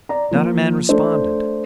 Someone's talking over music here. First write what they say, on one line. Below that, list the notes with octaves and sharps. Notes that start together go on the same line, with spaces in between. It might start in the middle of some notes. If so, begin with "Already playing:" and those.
Not a man responded.
D5 A#5
F3 A#3
A3 D4 C5